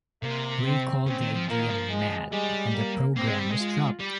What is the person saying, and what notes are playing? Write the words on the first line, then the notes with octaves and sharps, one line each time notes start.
Ray called the idea "mad", and the programme was dropped.
C3 A#3
C4
C#3 C4
D#3
F3
F3 A#3
D#3
F3
G#3
G3 G#3
A#3
A#3 C4
G#3
G3
G#3
F4
G3